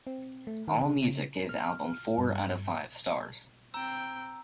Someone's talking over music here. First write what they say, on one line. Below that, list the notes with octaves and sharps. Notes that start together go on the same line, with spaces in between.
Allmusic gave the album four out of five stars.
C4
A3
D#3
C#3
F6
G2
C4 G5 A#5 E6